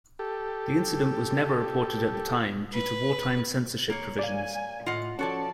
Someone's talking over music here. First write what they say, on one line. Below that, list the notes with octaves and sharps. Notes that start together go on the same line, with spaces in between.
The incident was never reported at the time due to wartime censorship provisions.
G4 A4
B4
A#3 C#5
D5 F5 G#5
A2 F4 D#5 F#5
F3 C#4 F#4 A4 C#5 D5 A5 C#6